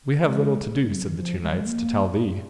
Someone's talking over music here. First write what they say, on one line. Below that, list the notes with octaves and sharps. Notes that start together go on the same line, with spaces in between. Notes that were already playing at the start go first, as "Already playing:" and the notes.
We have little to do, said the two knights, to tell thee.
G#3
G#3
F#3
D#3
F3
G#3
F#3
G#3
A#3